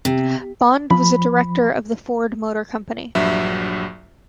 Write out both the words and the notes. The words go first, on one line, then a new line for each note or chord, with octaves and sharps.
Bond was a director of the Ford Motor Company.
C3
F3 B5
A#1 G2 F#3 E5